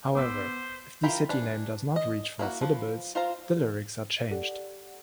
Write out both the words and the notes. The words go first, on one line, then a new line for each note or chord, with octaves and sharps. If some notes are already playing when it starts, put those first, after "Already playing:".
However, if the city name does not reach four syllables, the lyrics are changed.
B3 C5 D6 E6 B6
E4 F4 A#4 G5 B5
E3 D4
D#5
A#3 E4 F#4
F3 B4
F4 C5 F5 A#5
G4 A4 D5 F#5